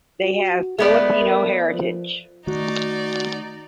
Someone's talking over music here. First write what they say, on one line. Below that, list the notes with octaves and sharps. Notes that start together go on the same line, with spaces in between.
They have Filipino heritage.
F#4
G#3 A3 B3 D5
A#4
F3
D#3 A3 D#4 F#4 D5